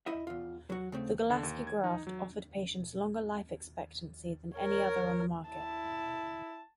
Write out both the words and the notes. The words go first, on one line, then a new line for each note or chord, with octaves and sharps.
The Golaski graft offered patients longer life expectancy than any other on the market.
E4 D#5 E5
E2 F4
F#3 F#4
C#3 A3 C4
D3
D#2
G#6
D#4
F#3
A#4 C#5
E4 A5